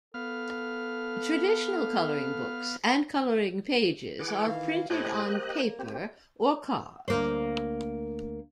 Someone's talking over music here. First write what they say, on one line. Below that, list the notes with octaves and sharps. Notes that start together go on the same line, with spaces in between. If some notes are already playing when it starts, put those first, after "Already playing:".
Traditional coloring books and coloring pages are printed on paper or card.
B3 A4 F5 F6
E3 G#4 F#5 D6
D#3 F5
A2 G4 C5 D#5 F#6
A#3
C4 G4
D2 A#3 C5